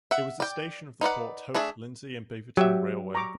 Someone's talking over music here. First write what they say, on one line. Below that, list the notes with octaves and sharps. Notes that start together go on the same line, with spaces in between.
It was a station of the Port Hope, Lindsay and Beaverton Railway.
E5 F#5
D5 G5
D#4 B4 D5 F#5
A3 D4 G#4 E5
F#3 G4 E5
A#5 C#6 D6